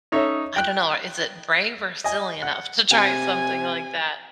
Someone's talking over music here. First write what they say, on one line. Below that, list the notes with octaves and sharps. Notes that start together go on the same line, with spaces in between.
I don't know, is it brave or silly enough to try something like that?
C#4 D#4 A4 C#5 D#5 E5
G5 F#6
D#5 G#5
F#5
C3 G#5